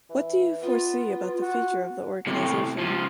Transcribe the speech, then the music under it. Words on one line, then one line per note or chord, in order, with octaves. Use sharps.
What do you foresee about the feature of the organization?
E3
B3 F4
F#4
A2 C3
C#2 F3